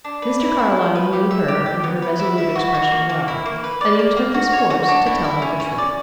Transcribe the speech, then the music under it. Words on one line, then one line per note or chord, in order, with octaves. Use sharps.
Mr. Carlyle knew her and her resolute expression well, and he took his course, to tell her the truth.
D4
B4
E4
E4
B4
B4
G4
E5
G4
G4
B3
B4
E4
E5
F#4
F#4
A#3
A#3
E4
A#3
B4
D5
A#3
A#3
F#4
C#5
F#4
D4
E4
E4
C#4
C#4
D5